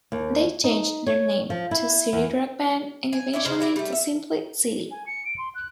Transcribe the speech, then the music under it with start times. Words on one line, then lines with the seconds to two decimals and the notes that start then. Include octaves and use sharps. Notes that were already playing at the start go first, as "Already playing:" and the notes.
They changed their name to City Rock Band and eventually to simply City.
0.12 D#2
0.64 D#4
1.07 C#5
1.50 F3
1.71 E4
2.13 E2
3.13 G#5
3.33 E4 C#5 D5
3.45 C#3 G#3 C5
3.60 D4 E4 F#4
3.76 G3 A3
3.92 E5
4.91 G#5
5.06 C#7
5.25 D7
5.38 C6
5.55 F#6